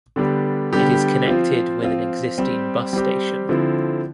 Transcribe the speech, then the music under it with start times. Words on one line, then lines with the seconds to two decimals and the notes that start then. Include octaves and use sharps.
It is connected with an existing bus station.
0.16 D3 G3 B3 D4 G4
0.73 D3 G3 B3 D4 G4
1.27 F3 C4 F4
1.82 F3 C4 F4
2.38 G3 C4 G4
2.93 G3 C4 G4
3.49 D3 F3 C4 E4